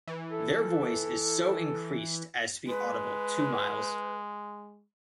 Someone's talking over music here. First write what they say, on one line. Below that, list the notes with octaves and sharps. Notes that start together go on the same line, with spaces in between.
Their voice is so increased as to be audible two miles.
E3
A4
G#3 B4